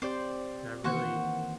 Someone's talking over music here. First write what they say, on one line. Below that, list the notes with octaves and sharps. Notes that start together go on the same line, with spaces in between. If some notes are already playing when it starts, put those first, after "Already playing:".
that really,
C4 G4 C5 D5
D#3 E3 A#3 F#4 C5 F#5